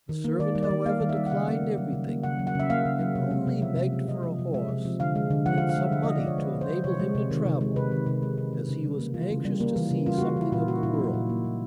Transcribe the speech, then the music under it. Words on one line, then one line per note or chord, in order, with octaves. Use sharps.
The servant, however, declined everything, and only begged for a horse and some money to enable him to travel, as he was anxious to see something of the world.
D#3
A#3
D#3 D5
G3
D5
D#3
A#3 F5
D#3
E5
G3
F#5
C#3 F5
A#3
C#3
F#3
C#3
A#3
C#3 F#5
F#3
F#5
C#3 E5
A#3 F5
C#3
F#3
C3
G#3
C3
F3 E5
C3
G#3
C3 D#5
F3
C3
G#3 E5
C3
F3
D3 F5
G#3
D3
F3 F#5
F5
D3
F5
G#3 E5
D3 E5
D#5
F3
D5
D3 C#5
G#3 B4
D3
C5
F3
C3 C#5
G#3
C3
D#3
C3
G#3
C3 B4
D#3
C3
G#3
C3
D#3
C#3
G3
A#3
E3 F4
C#3
G3
A#3
E3
C#3
G3 F4
F#4
A#3
F#4
E3 E4
A#2 F4
A#3 F#4
A#2 E4
D#4
F#3
E4
A#2
A#3
A#2